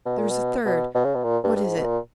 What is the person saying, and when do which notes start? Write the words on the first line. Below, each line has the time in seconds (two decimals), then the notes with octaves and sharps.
There is a third. What is it?
0.05 B2
0.18 A#2
0.30 B2
0.65 B2
0.95 B2
1.04 C#3
1.15 B2
1.24 A#2
1.44 G2
1.56 G2
1.64 G#2
1.78 B2
1.84 A#2